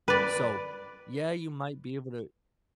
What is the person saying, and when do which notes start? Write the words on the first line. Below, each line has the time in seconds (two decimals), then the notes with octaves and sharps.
so, yeah, you might be able to
0.08 B4 D5